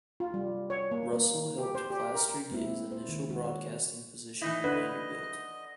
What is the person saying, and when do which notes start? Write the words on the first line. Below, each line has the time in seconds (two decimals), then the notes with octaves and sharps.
Russell helped Plaster get his initial broadcasting position at Vanderbilt.
0.20 F4
0.34 G3
0.70 C#5
0.91 A#3
1.13 A#3
1.58 G4
1.75 C5
1.90 G4
2.15 A#4
2.51 G#3 A#3 C4 E4
2.92 C5
3.09 D#3
3.29 G#3 F#4
3.44 C#5
4.41 E3 D#4 E4 D#5
4.64 D3 B4